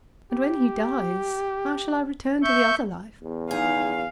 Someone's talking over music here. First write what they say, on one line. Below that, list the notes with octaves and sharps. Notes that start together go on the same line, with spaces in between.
And when he dies, how shall I return to the other life?
G4
E5 C#6 G6
E2
D#4 G#4 F5